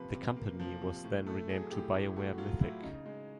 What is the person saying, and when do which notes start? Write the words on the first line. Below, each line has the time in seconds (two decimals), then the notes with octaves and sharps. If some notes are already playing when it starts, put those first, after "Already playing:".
The company was then renamed to BioWare Mythic.
Already playing: C3 F3 A#3 B4
0.14 C3
0.36 A#3
0.60 F3
0.81 C3
1.04 A2
1.26 A3 A4
1.49 F#3 G#4
1.71 A2 G4
1.94 A2 G4
2.16 A3 F#4
2.38 F#3 F4
2.61 A2 E4
2.83 C#3 D#4
3.06 G#3